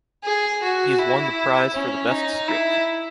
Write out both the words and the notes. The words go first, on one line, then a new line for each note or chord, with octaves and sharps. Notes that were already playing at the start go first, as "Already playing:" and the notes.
He has won the prize for the best script.
G#4
F#4
E4
C#4
D#4
E4